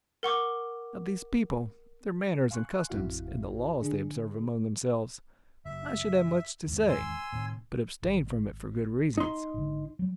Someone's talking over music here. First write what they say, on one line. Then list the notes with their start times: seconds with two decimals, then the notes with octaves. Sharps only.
Of these people, their manners and customs, and the laws they observe among themselves, I should have much to say, but abstain from it for good reasons.
0.23 A#4 F#5 C#6 D6
2.51 F5 G#5 C6 C#6 F#6
2.89 A1 F2 C3 E4 F#4 F5
3.81 D3 D4 G#4
5.65 F#1 E5
6.67 E2 G#2 D#3
6.89 G#5 C6 E6
7.32 A2 C3 D#3
8.02 G#1
9.18 D#4 C6
9.54 G#1 D3
9.99 F#3 G3